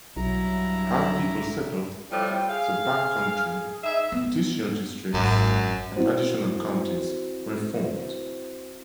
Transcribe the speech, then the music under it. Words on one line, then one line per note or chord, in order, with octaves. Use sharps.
As people settled the backcountry, judicial districts and additional counties were formed.
B1 G2 F#3 E4 A#5
A2 F3 G3 C4 E4 G4
G5
G#4 F5
D#4 G#4 E5
B3
G#1 F#2
C4 E4 F#4 C5